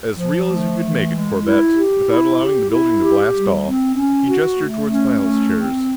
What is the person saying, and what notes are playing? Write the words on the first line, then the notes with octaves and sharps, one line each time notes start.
"As real as we can make it, Corbett, without allowing the building to blast off." He gestured toward the pilot's chairs.
F3
A3
E3
G#3
E4
G4
E4
G4
E4
G4
G3
C4
C#4
F#4
A3
C#4
A3
C4